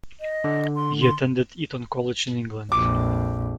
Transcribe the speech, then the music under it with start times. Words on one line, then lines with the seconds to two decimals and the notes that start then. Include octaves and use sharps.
He attended Eton College in England.
0.20 D#5
0.44 D3
0.76 C6
1.02 C6
2.72 A#1 F2 D6